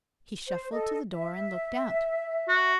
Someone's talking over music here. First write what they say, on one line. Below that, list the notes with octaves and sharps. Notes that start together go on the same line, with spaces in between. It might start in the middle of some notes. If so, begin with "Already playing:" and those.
He shuffled to the door and looked out.
C5
A4 D#5
E5
F#4